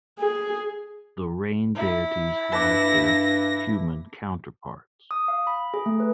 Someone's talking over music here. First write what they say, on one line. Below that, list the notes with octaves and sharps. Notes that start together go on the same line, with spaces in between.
The rain deities had their human counterparts.
G#4
E4
G2 B4 A5 D6 A#6
D#6
F5
B5
G#4
A3
B4